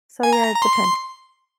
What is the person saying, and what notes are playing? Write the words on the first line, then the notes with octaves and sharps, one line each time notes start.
So yeah, it depends.
G#5
A#5
A#5
C6